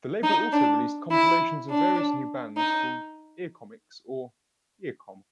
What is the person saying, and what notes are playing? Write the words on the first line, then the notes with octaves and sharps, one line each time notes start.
The label also released compilations of various new bands called 'ear comics' or "Earcom".
D#4
D4
E4
D4
D#4